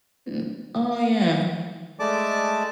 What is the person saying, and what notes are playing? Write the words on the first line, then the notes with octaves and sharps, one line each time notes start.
M oh yeah.
G#3 A3 D5 A5 D6